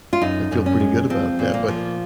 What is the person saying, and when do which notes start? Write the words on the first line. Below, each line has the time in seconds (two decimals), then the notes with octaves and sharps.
I feel pretty good about that, but
0.13 F4
0.21 F#2 D#4
0.51 F#2
0.66 C#4
0.80 G#3
1.10 F3 C4
1.39 A#2
1.54 A#3
1.68 F3